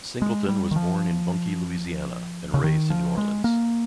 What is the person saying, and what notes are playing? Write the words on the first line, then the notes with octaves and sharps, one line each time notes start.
Singleton was born in Bunkie, Louisiana, and raised in New Orleans.
G#3
G3
D#3
F3
C#3
D#3
F3
G#3
A#3